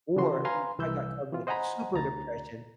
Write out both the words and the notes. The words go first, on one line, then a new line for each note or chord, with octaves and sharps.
or, you know, if I got caught in, like, a super depression,
C#3 E3 F#4 C6
B4 F5 G#5 A#5 C6
C2 E3 E6 G6
E3 C4 F4
C5 D#5 F#5 G#5 A#5 B5
D2 A#5 A6